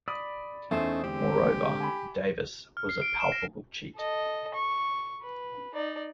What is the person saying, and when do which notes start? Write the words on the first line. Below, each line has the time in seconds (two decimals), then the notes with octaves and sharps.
Moreover, Davis was a palpable cheat.
0.08 D5 B5 D#6
0.71 E2 A3 C#4 D#4 C5
1.04 D3 G#3 C4 G4
1.80 G#5 B5
2.77 F6
2.89 C7
3.02 D7
3.20 E7
3.32 A#6
3.96 A4 D#5
4.54 C#6
5.22 B4
5.74 D#4 D5